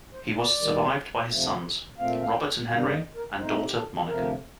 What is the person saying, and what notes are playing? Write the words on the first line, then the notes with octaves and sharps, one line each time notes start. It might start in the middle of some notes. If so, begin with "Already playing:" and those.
He was survived by his sons, Robert and Henry, and daughter, Monica.
C5
D5
D#2 D#3 G3
D2 C3 F3 A3
A#2 A3 C4 F5
F5
G5
G2 D3 G3 A#3 F5
D#5
A#4
A2 A3 C4 D#4 C5
G4
A4
D2 C3 F3 A3 A#4